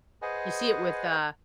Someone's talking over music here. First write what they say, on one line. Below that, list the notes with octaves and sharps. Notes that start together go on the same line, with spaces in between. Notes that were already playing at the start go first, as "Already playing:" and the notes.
You see it with uh,
G#4 B4 C5 D#5 F#5 G#5